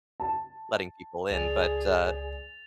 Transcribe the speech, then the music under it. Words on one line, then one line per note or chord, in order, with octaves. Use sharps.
letting people in, but, uh,
A5
C#2 G#4 D5 G#5 A6 F7